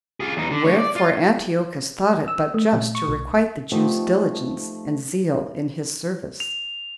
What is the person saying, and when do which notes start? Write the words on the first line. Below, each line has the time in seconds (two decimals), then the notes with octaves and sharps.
Wherefore Antiochus thought it but just to requite the Jews' diligence and zeal in his service.
0.20 F4 G#4
0.37 E2 D#4
0.51 D3
0.64 D2 C#5
0.79 D5
0.96 F4
2.28 E6
2.54 A3
2.73 A#2
2.95 C#6
3.08 B1
3.72 F3 A3 B3 C4 D#4 G4
6.40 F7